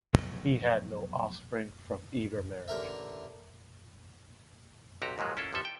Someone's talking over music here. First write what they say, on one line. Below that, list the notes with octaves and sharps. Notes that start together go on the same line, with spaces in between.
He had no offspring from either marriage.
F1 B1 E2 A2
A1 D3 A#4 E5
B1 C3 F#4 G4 A#5
D#2 G#2 F3 F#3 G#3
C#4 E4 F4 A4
A1 C3 F3 A4 E5
G5